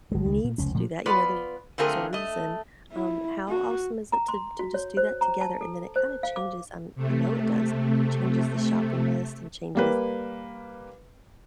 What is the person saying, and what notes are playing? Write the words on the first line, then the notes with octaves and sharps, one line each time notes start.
needs to do that, you know, there's a reason, um, how awesome is it to to just do that together, and then it kinda changes, um, I know it does, changes the shopping list and changes,
G1 G#3
C#2 D#3
A#2
F1 C#2 C#4
A#2 F3 A3
B3 F4 B4 D5
D3 A3 C4 F4 G#4 A#4
A3 D#5
E4
F#4
A#5
C6
F#4
C#5
C5
A#5
A5
A4
C5
F5
D6
C3 A3
G3 A#3 B4